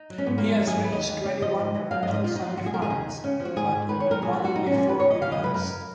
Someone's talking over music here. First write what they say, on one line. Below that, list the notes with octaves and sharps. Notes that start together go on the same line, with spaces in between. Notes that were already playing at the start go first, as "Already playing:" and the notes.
He has reached twenty-one professional semi-finals, but won only four events.
Already playing: D#4
F#3
C#4
G#2 B3
F#3 A#3
G#3
F#3 A#3
G#4
G#2
B4
D#2 D#5
D#2
C#3 C#5
F3 D#5
G#2
F#3
F#3 F5
D#5
G#2
D#5
A#2 F4
F#3 D#4
F4
F#3 F#4
G#4
A#2 A#4
G#4
D#2 D#4
D#2
C#3 C#4
F3
F#4
G#2 G#4
G#2
D#3 B4
C#5
F#3 A#4
A#2 G#4
F#4
F#3
F#4
F#3 D#4
C#4
A#2
C#4
D#2 B4
C#5
D#2
D#5
C#3 F5
D#5
F#3
B4
F#2 A#4